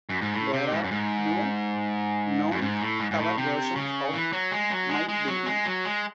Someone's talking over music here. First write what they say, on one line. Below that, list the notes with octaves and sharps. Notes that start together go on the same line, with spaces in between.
There are no known cover versions of "My Baby".
F#2
G#2
A2
C3
G#2
F#2
G#2
F#2
G#2
A2
G#2
G#2
A2
C3
C#3
E3
F#3
G#3
F#3
G#3
G#3
F#3
G#3
F#3
G#3